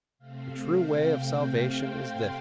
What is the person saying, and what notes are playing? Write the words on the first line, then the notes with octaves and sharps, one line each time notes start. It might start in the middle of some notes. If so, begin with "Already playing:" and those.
The true way of salvation is this.
C3 A3 C4 F5
G5
C6